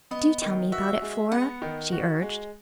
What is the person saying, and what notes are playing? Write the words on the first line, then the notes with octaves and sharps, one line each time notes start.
"Do tell me about it, Flora," she urged.
B3 D#5
D#3
F#4 E5
G#3
B3 F#5
D#3
F#4
G#3